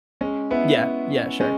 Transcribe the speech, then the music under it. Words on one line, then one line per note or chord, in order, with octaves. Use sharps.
Yeah, yeah, sure.
G#3 C#4
B3 E4
G#3 C#4